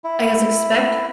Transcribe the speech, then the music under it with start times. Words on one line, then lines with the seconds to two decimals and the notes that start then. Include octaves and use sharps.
I guess, expect
0.04 E4